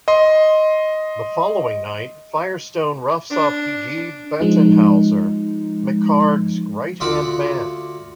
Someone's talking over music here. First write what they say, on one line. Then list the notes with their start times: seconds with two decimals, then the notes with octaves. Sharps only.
The following night, Firestone roughs up Guy Bettenhauser, McCarg's right-hand man.
0.08 D#5 C6
3.30 D4
4.41 F3 G#3 D#4
7.00 D2 F4 D5 E5 F#5